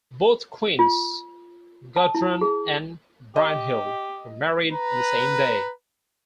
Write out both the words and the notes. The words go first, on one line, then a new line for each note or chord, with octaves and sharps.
Both queens, Gudrun and Brynhild, were married on the same day.
F4
A5
E4
G#4
G4 D#5
B4 A#5